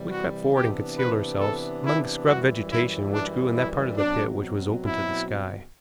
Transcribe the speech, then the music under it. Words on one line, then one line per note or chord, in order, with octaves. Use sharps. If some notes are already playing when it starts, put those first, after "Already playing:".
We crept forward and concealed ourselves among the scrub vegetation which grew in that part of the pit which was open to the sky.
Already playing: C3 E3 G3
F#4
C3 E3 B3 D4 G4
B4
A4
E4
F#2 E3 G3 F#4
E4
D4
E4
B2 F#3 C4 D4
E4